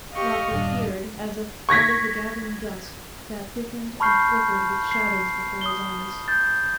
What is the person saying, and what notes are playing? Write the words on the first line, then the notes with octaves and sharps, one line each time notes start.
Lawford peered as if out of a gathering dusk, that thickened and flickered with shadows before his eyes.
G4 D#5 F5 C#6
D#1 G2 D4
C#6 G#6 A#6 B6
A5 B5 C#6 F6 G6 C7
C7
D#6 G7
G6 A6